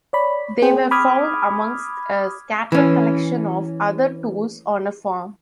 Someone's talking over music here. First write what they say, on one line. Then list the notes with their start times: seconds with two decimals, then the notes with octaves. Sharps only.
They were found amongst a scattered collection of other tools on a farm.
0.13 C#5 D5 B5
0.62 C4 G#4 C5 G5
0.91 B5 D6 D#6 F6 G#6
2.72 E3 C#4